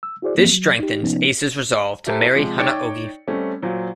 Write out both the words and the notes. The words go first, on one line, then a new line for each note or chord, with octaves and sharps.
This strengthens Ace's resolve to marry Hana-ogi.
E6
E4 F#4 G#4 C5 D5
G2 E3 F3 A#3 C4
F#3
D#4 G4
C3 F3 B3 C#4 D#4
E4 G4 A4 A#4 C5
C3 F3 G#3
D#4 C#5 D5 G5 C#7
G3 A3 C4 C#4
A#2 F#3 C5